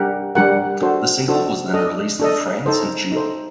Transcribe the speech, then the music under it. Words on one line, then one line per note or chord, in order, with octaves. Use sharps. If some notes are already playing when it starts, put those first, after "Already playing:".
The single was then released in France in June.
Already playing: G3 D4 G4 A#4 F#5
G3 D4 G4 A#4 F#5
D4 F#4 A4 C5
D4 F#4 A4 C5
D4 A4 D#5
D4 A4 D#5
D#4 A4 C5
D#4 A4 C5